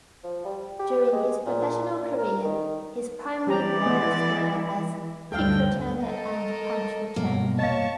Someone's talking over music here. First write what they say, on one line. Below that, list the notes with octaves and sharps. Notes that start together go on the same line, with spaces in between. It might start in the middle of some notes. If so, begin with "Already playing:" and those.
During his professional career his primary roles were as kick returner and punt returner.
F3
G3
G4
G#3
A#2
A#2
A#4
D#3
E3 G3 E4 G4 D5 A#5
A3 B3
D2 G2 D3 A4 F5 G5
A4 A#4 D#5
G2 B2 A#3
C#5 D#5 F5 A5 C#6